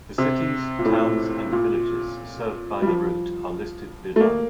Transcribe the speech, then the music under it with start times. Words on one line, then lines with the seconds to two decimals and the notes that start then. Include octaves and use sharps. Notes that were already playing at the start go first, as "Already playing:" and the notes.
The cities, towns and villages served by the route are listed below.
0.18 C3
0.79 A#2
0.85 A2
1.52 A#2
2.82 G3
2.87 F3
4.16 A3
4.21 A#3